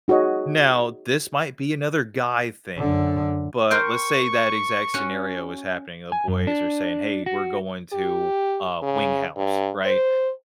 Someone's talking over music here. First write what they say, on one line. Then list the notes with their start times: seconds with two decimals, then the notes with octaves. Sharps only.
Now, this might be another guy thing, but let's say that exact scenario was happening, the boys were saying, “Hey, we're going to, uh, Wing House," right?
0.08 D#4 F#4 G#4 C#5 D#5
2.78 F#2 D3
3.71 A#4 C5 G5 C#6
4.94 C#4 F#4
6.12 G#5
6.28 F#2
6.47 D4
7.26 F#4
7.93 G4
8.82 C#3
9.37 G2
9.85 C5